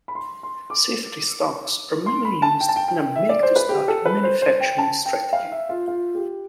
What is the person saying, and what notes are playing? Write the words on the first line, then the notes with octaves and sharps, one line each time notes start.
Safety stocks are mainly used in a "Make To Stock" manufacturing strategy.
B5
C6
C6
D6
C6
B5
A5
G5
A5
G5
G5
E5
D5
C5
B4
G4
A4
B4
C5
C5
G5
A5
G5
F5
E5
F4
F4
G4